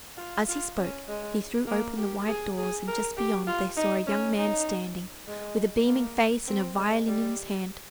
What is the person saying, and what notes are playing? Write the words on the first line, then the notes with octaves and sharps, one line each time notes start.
As he spoke he threw open the wide doors, and just beyond they saw a young man standing, with a beaming face, and a violin in his hand.
F4
F4
C#4
G#3
A#3
G4
G#4
G#4
A#4
G4
F4
D#4
C#4
D#4
G#3
A#3
C4
G#3
G3